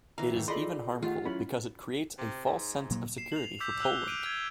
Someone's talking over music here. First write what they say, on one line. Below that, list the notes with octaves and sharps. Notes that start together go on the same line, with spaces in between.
It is even harmful because it creates a false sense of security for Poland.
E3 F5 A#5
F#2 D#3 A3
F4 G#4 A4 D5 D#5 B5 C6
D#3 A3 F4 G4 F#5
F#3 C#4 E4 B5
C3
G#2
A#2 F#3 A#3
C7 E7
F7 F#7
D6 E6 G6 B6
E6 F#6 F7 G7
D6 F6 D7 D#7 F7
G#6